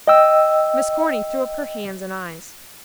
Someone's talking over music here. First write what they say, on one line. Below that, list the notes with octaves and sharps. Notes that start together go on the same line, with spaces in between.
Miss Corny threw up her hands and eyes.
D#5 G5 E6